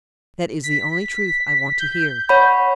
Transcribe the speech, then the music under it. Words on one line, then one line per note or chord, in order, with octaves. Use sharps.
"That is the only truth I want to hear."
B6
G6
C#5 F#5 B5